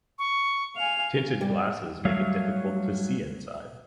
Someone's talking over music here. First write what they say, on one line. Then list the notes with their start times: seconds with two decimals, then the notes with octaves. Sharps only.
Tinted glasses make it difficult to see inside.
0.19 C#6
0.76 F5 G#5 F7
1.41 G3
2.05 F#3 G3 A3 C#5 E5 F5